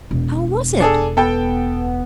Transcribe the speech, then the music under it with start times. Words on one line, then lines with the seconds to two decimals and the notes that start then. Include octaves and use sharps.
How was it?
0.11 E1
0.80 D4 G#4 A4
1.17 B3 A4 G5 A5